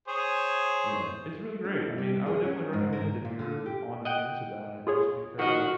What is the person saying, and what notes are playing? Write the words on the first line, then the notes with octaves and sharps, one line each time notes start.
yeah, it's really great. I mean, I would definitely recommend if you're on the fence about it, just because I've
G#4 C5 C#5
D4
G3
G#4
C#4
G#2
A#4
A#2
D3
G4
D#5 F#5 G5
F4 G#4 C#5
D#3 F3 F#4 D#5